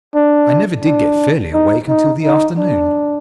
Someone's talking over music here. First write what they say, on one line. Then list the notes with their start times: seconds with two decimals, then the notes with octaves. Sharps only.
I never did get fairly awake until the afternoon.
0.15 D4
0.84 D4
1.54 D#4
1.88 D#4
2.23 D#4
2.57 D4